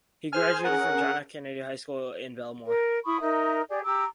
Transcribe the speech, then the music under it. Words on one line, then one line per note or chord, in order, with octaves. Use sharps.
He graduated from John F. Kennedy High School in Bellmore.
G#4 C5 G#5 F6
C#4 G#4 A#4 F#5
A#4
E4 B5 C#6 D#6
D#4 A#4 E5
G4 G#4 D5
G4 A#5 D6 E6